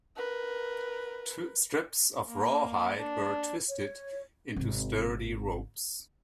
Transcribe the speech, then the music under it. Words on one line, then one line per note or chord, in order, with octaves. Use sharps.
Strips of rawhide were twisted into sturdy ropes.
A#4 B4
A#3
D4
C#5
G#1 C3